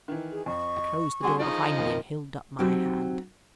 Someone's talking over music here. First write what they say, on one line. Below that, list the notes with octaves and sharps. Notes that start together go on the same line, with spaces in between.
I closed the door behind me and held up my hand.
D#3 E3
G#4
F2 D#5 C#6
G3 C4 F#4 G#4 C6
F3 D#4 F4 G#4 D#5
F2 A#2 D#3 A#4
F#3 C4 D#4 F#4 G4